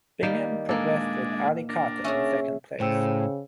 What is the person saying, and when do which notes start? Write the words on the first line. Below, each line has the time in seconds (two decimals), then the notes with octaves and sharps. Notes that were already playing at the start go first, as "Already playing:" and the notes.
Bingham progressed with Ali Carter in second place.
0.23 D#3 G3 A#3
0.69 A#2 G#3 A#3 D4 A4
1.69 D4 A#4
2.04 C#4 F#4 G#4 E5
2.80 A2 C#3 C5 G5 E6